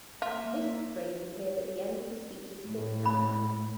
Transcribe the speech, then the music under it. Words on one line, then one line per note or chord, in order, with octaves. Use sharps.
This phrase appeared at the end of the speech's fifth paragraph.
A#3 F4 E5
A2
B5